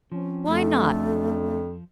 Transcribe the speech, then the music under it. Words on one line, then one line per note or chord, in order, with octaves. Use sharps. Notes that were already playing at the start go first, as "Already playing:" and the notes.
Why not?
F3 C4 C#4
F2 C#3 F#3 A3 D4